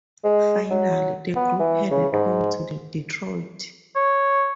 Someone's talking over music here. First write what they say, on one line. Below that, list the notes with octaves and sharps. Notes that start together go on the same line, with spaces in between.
Finally, the group headed home to Detroit.
G#3
F#3
B3
E3
C#3
G#2
C#5